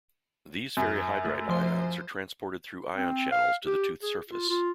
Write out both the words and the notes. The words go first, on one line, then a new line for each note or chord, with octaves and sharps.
These ferrihydrite ions are transported through ion channels to the tooth surface.
F#2
A3
F3 C5
C4
F5
G4
G#4
F4
F4